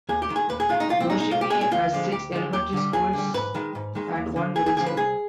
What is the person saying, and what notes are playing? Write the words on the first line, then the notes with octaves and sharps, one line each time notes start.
Yoshimi has six elementary schools and one middle school.
D#2 G#4
G4
D#3 G#3
G#4
D#2 B4
G#4
D#3 G#3 F4
D#4
C2 F4
C4
B2 G#3 D#4
D#4
C2 F4
G4
B2 G#3 G#4
G#4
D2 F4
D3 F3 G#3
D2 G4
D3 F3 G#3
D#2 G4
D3 G3
D#2 G#4
D3 G3
G#2 B4
D#3 G#3
G#2
D#3 G#3
D#2
D3 F3
D#2 G#4
G#4
D3 F3 G#4
B4
C2 G#4